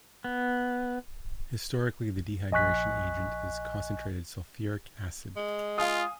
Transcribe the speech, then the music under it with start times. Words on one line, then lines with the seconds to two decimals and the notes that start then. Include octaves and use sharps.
Historically, the dehydration agent is concentrated sulfuric acid.
0.24 B3
2.52 A#1 D#5 G#5 C#6 F#6 B6
5.36 G#3
5.78 F4 F5 G#5 D#6